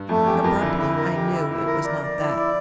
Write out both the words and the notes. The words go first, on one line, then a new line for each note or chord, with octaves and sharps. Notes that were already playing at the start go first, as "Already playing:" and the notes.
Abruptly I knew it was not that.
Already playing: G2
F2 A3
E2 G4
F2 A#4
D3 E4
E4
A#4
G4
E4
E4
A#4
D5
D5
E4
D5